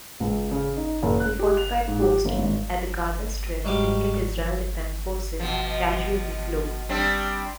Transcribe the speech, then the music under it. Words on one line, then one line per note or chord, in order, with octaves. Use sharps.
He fortified posts at the Gaza Strip and kept Israel Defense Forces casualties low.
C#2
C#3
D#4
F#1
F#6
G4
F7
F5
G#2
G4
G1
G#1
G#2 F#3 G3 F5 D6
B2 F3
G3 C4 D4